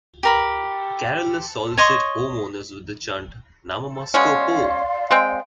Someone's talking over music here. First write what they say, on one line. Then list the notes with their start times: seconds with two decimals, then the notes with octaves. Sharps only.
Carollers solicit homeowners with the chant Namamasko po!
0.23 G4 A#4 B5
1.77 C#5 D#5 C6 C#6
4.14 B2 G#3 C#4 D5 F5 C6
5.11 G#3 C4 G5